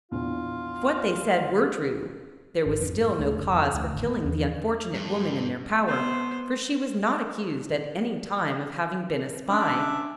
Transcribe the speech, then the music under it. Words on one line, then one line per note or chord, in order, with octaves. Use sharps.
If what they said were true, there was still no cause for killing the unfortunate woman in their power, for she was not accused at any time of having been a spy.
A#1 E2 F4
G#1
F2
G#2
D2
F#1
F2
D2
G#1
A#3
E2
G2
B3 C5
C#4 D4 E5 D6